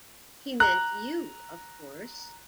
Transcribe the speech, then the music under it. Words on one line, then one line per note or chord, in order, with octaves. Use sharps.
He meant you, of course.
A#5 F#6